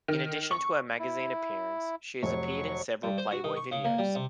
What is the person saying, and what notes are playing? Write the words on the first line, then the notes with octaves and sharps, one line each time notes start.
In addition to her magazine appearance she has appeared in several "Playboy" videos.
D#3
C#6
E4
F1 F#3 C#6
G2
C5
F#4
D#3
C#6
C#3
A#3
G3
C3